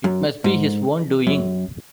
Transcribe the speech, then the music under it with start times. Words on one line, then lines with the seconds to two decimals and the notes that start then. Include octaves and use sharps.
It must be his own doing.
0.04 F#2
0.44 G#2
1.27 F#2